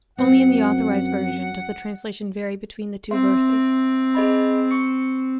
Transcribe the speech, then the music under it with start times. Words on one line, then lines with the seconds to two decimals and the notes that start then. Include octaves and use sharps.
Only in the Authorized Version does the translation vary between the two verses.
0.18 F#2 C4 F#5
3.11 C4 E5 C6
4.15 G#4 D#5 B5
4.71 C#6 C#7